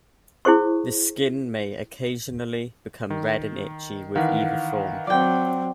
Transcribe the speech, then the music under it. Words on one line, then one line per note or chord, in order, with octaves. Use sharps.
The skin may occasionally become red and itchy with either form.
E4 G#4 C5 C#6
D#3
D#3 E3 F5 F#5
F#3 C4 D5 G5